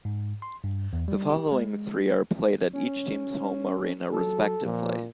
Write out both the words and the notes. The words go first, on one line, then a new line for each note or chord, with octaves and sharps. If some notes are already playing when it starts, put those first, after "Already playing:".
The following three are played at each team's home arena respectively.
G#2
C6
G2
E2
G3
G4
G#3
C#4
F#3 A4
A#2 F3